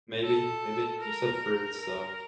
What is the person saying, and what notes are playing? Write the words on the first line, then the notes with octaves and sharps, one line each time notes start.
maybe maybe. You said fruits, so,
A4
A#4
A#4